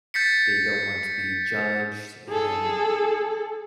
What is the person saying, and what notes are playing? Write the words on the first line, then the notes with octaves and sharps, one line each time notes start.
they don't want to be judged, and
G6 A6 B6 C#7
G#4 A4